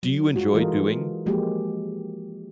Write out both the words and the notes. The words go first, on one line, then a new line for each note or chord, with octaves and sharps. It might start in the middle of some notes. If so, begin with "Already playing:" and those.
Do you enjoy doing
F#3
G#3 F4 F#4
E3 G#3 F4 A4 A#4 D#5
F3 G#3 A#3 F#4 G4